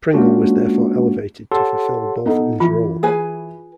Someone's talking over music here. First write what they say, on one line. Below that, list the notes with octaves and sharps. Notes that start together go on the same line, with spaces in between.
Pringle was therefore elevated to fulfill Botham's role.
G#3 A#3 C#4 D4 F4 F#4
G4 A4 C#5 F#5 A5 C6
B3 D#4 A4
E3 F4
G#4 B4 G#5